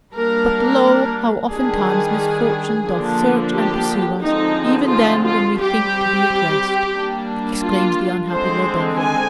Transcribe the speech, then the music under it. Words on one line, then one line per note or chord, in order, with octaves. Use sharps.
"But, lo, how oftentimes misfortune doth search and pursue us, even then when we thinke to be at rest!" exclaims the unhappy Laudonniere.
G3 A#3 D4 A#4
D#3 G3 D4 G#4
D3 F3 A#3 D4
G4
D3 F3 G#3 C4 D#4
F4
F4
G3 C4 G4
G3 A#3 D4
F4
D3 G#3 C4 C5
G#5